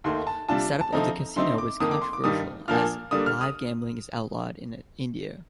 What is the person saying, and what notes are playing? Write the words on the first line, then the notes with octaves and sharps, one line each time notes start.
The setup of the casino was controversial as live gambling is outlawed in India.
D#2 D#3 A3 C6
A5
C3 G3 D4 F4 A5
A5
D3 F3 A3 C4 D#4 A#5
D3 A3 C4 D#4 C6
D6
F2 D#3 A#3 D#6
D6
C6
D6
G2 D#3 G3 D#6
A#2 F3 A#3 D4 F4 F6
D3 G3 A#3 D4 D#6
F6
D#6